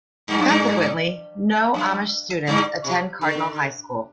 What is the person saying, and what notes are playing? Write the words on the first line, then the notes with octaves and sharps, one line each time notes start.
Consequently, no Amish students attend Cardinal High School.
G2
F#2
G2
F#2
G2
C3
D3